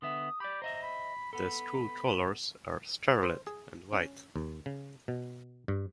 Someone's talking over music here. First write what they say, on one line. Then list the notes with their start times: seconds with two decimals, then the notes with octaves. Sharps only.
The school colors are Scarlet and White.
0.02 D3 B3 E5 D#6
0.40 G4 D5 B5
0.62 C5 D#5 E5 A#5
0.83 B5
1.33 B3 A4 B5
3.23 C5
3.47 G#4
3.93 C#4
4.36 D#2
4.66 C#3
5.08 B2
5.68 G2